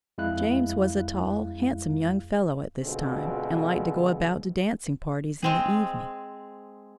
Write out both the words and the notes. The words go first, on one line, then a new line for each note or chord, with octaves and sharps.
James was a tall, handsome young fellow at this time, and liked to go about to dancing-parties in the evening.
F2 G#3 E4 F5 F#6
D2 B2 D3 G#3 C4 F4
G#3 C4 G#4